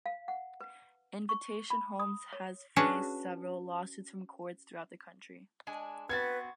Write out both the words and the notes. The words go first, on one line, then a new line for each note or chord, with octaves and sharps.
Invitation Homes has faced several lawsuits from courts throughout the country.
F5
F#5
B4
C#6
B5
D#6
C#5
C#4 D4 F#4 G#4 B4
G#3 D4 G#5
B3 C4 F#4 B4 G#6 A6